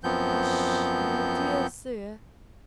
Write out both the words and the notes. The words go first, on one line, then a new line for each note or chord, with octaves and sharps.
'Hush, my dear sir!
F#2 F3 B3 C4 G6